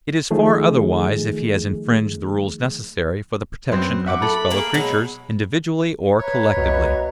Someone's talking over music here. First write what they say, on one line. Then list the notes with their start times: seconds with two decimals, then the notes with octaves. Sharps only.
It is far otherwise if he has infringed the rules necessary for the protection of his fellow-creatures, individually or collectively.
0.31 D#3 F3 A3 D#4 G#4
3.72 F#2 B3 C4
4.06 E5 F#5 D6
4.22 A4 B5
4.50 A#3 G#4 A#4
4.74 B2 F#3 G#3
6.19 B4 C#5 E5 A#5
6.57 C2 B2